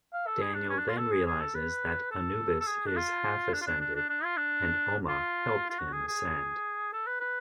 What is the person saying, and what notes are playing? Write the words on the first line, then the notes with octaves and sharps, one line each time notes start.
Daniel then realizes that Anubis is half-Ascended, and Oma helped him Ascend.
F5
A4
G#4
D4
C#4
D4
F4
A4
G#4
G#4
A4
B4
A4
A4
G#4
D4
F4
D4
F4
D4
D4
D4
D4
F4
D4
F4
F4
F#4
G#4
G#4
A4
B4
B4